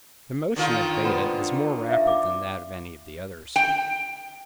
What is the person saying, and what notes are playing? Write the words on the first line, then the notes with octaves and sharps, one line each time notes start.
The motion of Beta is more rapid than that of any of the others.
D3 D#3 F4
B3 C5
E5 F5
D6
G5